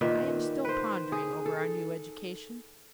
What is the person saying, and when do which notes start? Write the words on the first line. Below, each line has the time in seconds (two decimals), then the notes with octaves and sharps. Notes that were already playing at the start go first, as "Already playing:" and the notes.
I am still pondering over our new education.
0.01 A#2 D#3 B4 E5
0.65 B4 C5
1.12 G#4
1.46 A4